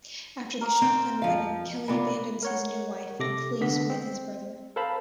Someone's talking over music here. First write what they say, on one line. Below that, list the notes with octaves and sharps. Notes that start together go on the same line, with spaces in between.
After the shotgun wedding, Kelly abandons his new wife and flees with his brother.
A#4 D6 D#6
C4
F2 F3 F5
C3 B3 F4 D5 B5
A#4 C#5 F#5
C3 A4 D6 A#6
D3 B3 B6
C4
A4 A#4 C5 F5 A5 B5